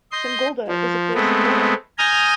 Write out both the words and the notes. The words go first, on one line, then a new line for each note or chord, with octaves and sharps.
Sangolda is a place in Goa.
D#5 C6 G6
F3
G#3 A3 B3 C4
G#5 A#5 D#6 F6 G6